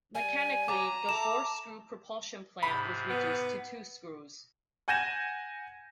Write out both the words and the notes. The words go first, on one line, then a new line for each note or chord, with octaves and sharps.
Mechanically, the four screw propulsion plant was reduced to two screws.
G3 G#5
F#3 A#5 D6
E4 A4 D6 E7
G#2 C3 B5
B3
F#5 G#5 G6 G#6 A#6 E7